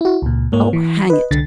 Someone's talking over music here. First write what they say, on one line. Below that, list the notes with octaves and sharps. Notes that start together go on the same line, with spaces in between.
Oh, hang it!
E4 F#4
C#2 A#2
G#2 A#3 C#5
E3
B4 D#5
C2 D3 A6